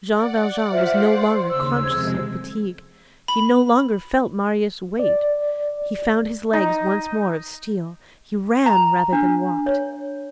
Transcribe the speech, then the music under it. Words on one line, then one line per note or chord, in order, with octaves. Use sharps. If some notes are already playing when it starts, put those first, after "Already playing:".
Jean Valjean was no longer conscious of fatigue, he no longer felt Marius' weight, he found his legs once more of steel, he ran rather than walked.
D5 F#5
F4 C5 E5 F6
C6
D#2 C#3 E6
F2 C3 G#3 C5 G#6
B5
D5
D#4
A#5
D4
C#5